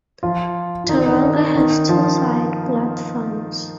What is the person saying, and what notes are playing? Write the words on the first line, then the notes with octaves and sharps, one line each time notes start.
Tooronga has two side platforms.
F3 F4
F4
D#3 D#4
D4
D#3 D#4
C4
D4
D#3 D#4
F3 F4